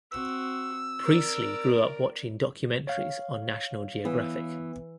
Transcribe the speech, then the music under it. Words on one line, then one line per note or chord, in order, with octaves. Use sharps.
Priestley grew up watching documentaries on National Geographic.
C4 F#4 E6
A#4 D5
C#5 F5
E3 B3